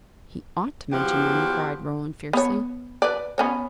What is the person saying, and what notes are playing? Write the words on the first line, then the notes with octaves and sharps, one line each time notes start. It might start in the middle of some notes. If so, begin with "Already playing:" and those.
"He ought to mention them," cried Roland fiercely.
E2 F3 F#4 G4
B3 C#5
B4 D5
B3 C#4 C#5